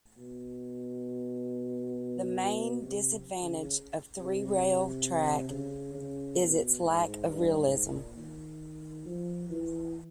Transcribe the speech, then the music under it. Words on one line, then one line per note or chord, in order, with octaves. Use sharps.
The main disadvantage of three-rail track is its lack of realism.
B2
C3
C#3
C3
C#3
C#3
B2
G#2
G2
G#2
A#2
D#3
F3
E3